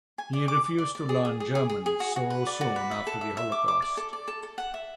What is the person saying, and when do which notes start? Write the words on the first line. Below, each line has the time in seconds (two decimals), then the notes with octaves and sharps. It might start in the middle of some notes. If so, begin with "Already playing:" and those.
He refused to learn German so soon after the Holocaust.
0.18 G#5
0.33 D5
0.48 D6
0.64 D6
0.78 D5
0.95 D5
1.09 G#4
1.25 G#4
1.40 G#4
1.55 G#4
1.69 G#4
1.86 G#4
2.00 F#4
2.16 F#4
2.30 B4
2.47 D5
2.61 F#4
2.76 B4
2.91 E5
3.07 A4
3.21 E5
3.37 E5
3.52 D6
3.68 D6
3.82 D5
3.97 A4
4.13 D5
4.28 A4
4.43 A4
4.58 F#5
4.74 E5